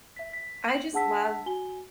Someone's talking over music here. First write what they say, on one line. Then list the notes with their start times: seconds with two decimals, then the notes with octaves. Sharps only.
I just love
0.16 E5 B6
0.33 B6
0.68 F#7
0.93 D4 G#4 F#5 A5 E6 B6
1.46 F#4 G#5 G7